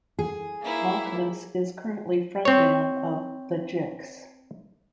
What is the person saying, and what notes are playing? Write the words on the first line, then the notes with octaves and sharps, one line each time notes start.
Malkmus is currently frontman of The Jicks.
G#4
A#3 E4
C4 C#5